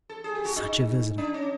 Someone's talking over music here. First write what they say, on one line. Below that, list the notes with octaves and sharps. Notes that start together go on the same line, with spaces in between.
Such a visitor!
A4
G#4
G4
F#4
D#4
D4
C#4